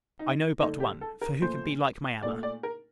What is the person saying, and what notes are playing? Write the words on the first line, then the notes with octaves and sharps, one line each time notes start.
I know but one; for, who can be like my Emma?
D#4
D3 A3 D#4
G4
A4
A#4
A#2 F3 A3 C5
A#2 A3 D5
D5
A#4